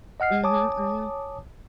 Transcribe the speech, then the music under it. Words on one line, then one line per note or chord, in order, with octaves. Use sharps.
Mhm, mhm.
D#5 F#5 F6 C7
C#5 G#5 A5 D6 D#6